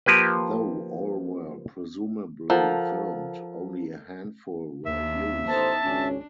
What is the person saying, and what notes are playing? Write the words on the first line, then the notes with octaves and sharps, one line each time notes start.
Though all were presumably filmed, only a handful were used.
F3 A#3 G4 B4
F3 A4 A#4 F#5
D#2 D4 E5
A1 B3 D#4 A4 C5 A5
G#1 C#2 C#4 D4